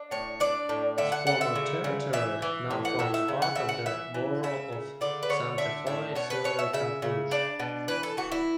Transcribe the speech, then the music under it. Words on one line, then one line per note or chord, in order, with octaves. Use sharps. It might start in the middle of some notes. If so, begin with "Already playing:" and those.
Its former territory now forms part of the borough of Sainte-Foy-Sillery-Cap-Rouge.
Already playing: D4
A2 C#5
D4 D5
A2
D3 E5
F#5
D3 F#5
E5
C#3
C#3
E3 E5
E3
A2
F#5
A2 E5
E5
C#3
F#5
C#3 E5
F#5
E3 E5
E3
C#3 E5
C#3
D3 D5
B4
D3 C#5
D4 E5
A2 E5
B2 C#5
B4
B2 C#5
E5
C#3 E5
C#3
D4 D5
B2
E3 B4
A4
E3 F#4
E4